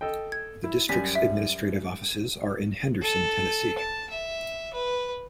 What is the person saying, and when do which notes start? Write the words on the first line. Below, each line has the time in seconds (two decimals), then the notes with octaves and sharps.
The district's administrative offices are in Henderson, Tennessee.
0.01 A4 D#5 G5
0.32 G#6
0.64 E4
0.89 F#2 G3 G#5 B6
1.15 E5
3.02 A4
3.78 A5
4.10 E5
4.73 B4